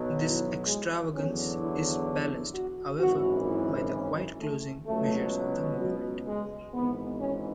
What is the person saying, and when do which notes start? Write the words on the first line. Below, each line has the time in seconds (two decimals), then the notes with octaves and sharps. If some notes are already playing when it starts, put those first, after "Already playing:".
This extravagance is balanced, however, by the quiet closing measures of the movement.
Already playing: B1 B2 F#3
0.20 E4
0.67 G#3
1.14 E2 D3 F#3 C#4
1.60 E4
2.07 D4
2.54 F#4
2.99 G#1 F#2 E3 F#4
3.46 E4
3.93 C#4
4.39 A3
4.86 C#2 B2 F#3 A3
5.79 F#3
6.26 G#3
6.72 G#1 G#2 E3 B3
7.19 C#4